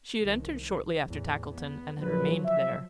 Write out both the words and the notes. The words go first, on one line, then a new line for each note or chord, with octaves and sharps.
She had entered shortly after Tackleton, and had remained there.
C2 D#3
E2 A2
B3
A#1 F3 F#3 B4
E5